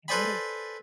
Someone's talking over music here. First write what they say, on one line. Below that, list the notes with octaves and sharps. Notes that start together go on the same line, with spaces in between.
it might've
A4 B4 C5 D5 G#5 B5